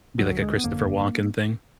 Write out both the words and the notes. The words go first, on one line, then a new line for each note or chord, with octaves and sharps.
be like a Christopher Walken thing.
D2 D3 F#3
G#3
B3
F#1 F2 D3 A#3